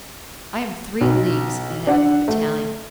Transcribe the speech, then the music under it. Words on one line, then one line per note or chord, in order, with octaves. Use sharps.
"I am three leagues ahead of the battalion."
B1
D4 F#5
A3